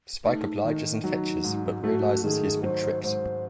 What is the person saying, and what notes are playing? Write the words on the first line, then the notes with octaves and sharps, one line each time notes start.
Spike obliges and fetches but realises he's been tricked.
A3 D#4
D#3
F#3
G#2
A3 F#4
D#3 G#4
F#3 C5
G#2 C5